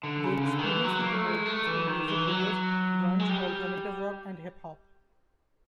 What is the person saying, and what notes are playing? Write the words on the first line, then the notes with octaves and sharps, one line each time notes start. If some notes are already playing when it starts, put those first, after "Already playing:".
They experienced the emergence of music videos, grunge, alternative rock and hip hop.
D3
C#3
D3
D#3
E3
F#3
A#3
A3
G#3
A3
E3
D#3
E3
F#3
G#3
G3